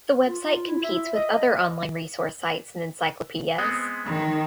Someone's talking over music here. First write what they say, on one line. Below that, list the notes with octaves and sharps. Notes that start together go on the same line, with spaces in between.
The website competes with other online resource sites and encyclopedias.
F4
E4
E5
D#5
G#3 B3 C4
D#3